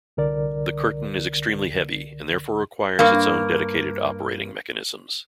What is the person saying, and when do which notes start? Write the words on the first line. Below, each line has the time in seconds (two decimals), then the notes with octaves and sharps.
The curtain is extremely heavy and therefore requires its own dedicated operating mechanisms.
0.17 C2 D3 A#4 D5
2.99 G2 A#3